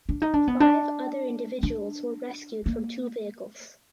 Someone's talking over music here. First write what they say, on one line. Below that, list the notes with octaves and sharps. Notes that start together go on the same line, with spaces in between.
Five other individuals were rescued from two vehicles.
D4
D#4
D4
B3
D4
D4
A#3